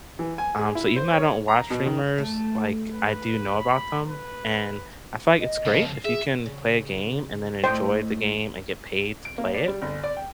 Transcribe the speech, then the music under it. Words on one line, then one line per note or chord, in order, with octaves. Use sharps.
Um, so even though I don't watch streamers, like, I do know about them, and I feel like it's great if you can play a game and then enjoy the game and get paid to play it,
E3
G#5
G#4
E4
C5
C#5
A#5
B2
D#3
A3 A5
B4
B5
B4
D#5
C#3 F3
G#4 E5
C#3
A2 A3 C5 D#5 G5
D7
A#3
D5
G3
G1
D5
G5